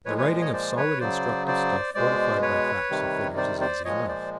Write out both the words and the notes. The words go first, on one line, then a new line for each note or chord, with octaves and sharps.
The writing of solid, instructive stuff fortified by facts and figures is easy enough.
A#2 F3 G#3 B4 C#5
B4 C#5
C#5 D#5
C5 D5
B4 C#5
C#3 F#3 C5 D5
C5 D5
B2 G#3 C5 D5
B4 C#5
C3 D#3 G3
C5 D5
C5 D5
A#2 F3 G#3 C#5 D#5
C5 D5